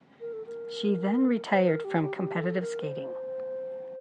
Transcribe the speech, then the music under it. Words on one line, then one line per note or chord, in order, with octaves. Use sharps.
She then retired from competitive skating.
A#4
A4
A#4
C5
A#4
G4
G4
G4
A4
A#4
C5